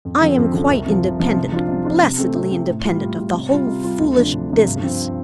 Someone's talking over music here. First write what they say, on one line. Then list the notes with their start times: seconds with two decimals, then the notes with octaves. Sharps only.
I am quite independent; blessedly independent of the whole foolish business.
0.05 F2
0.21 D3 F3 C4
0.38 F2
0.53 D3 F3 C4
0.71 C2
0.86 C3 F3
1.04 C2
1.20 C3 F3
1.36 C3
1.52 F3 D4 F4
1.69 C3
1.85 F3 D4 F4
2.02 C3
2.18 A3 C4
2.35 C3
2.51 A3 C4
2.68 A2
2.85 G3 F4
3.01 A2
3.17 G3 F4
3.34 C3
3.50 G3 F4
3.67 C3
3.84 G3 F4
4.00 D2
4.17 C3 F3 D4
4.33 D2
4.50 C3 F3 D4
4.66 G2
4.82 F3 C4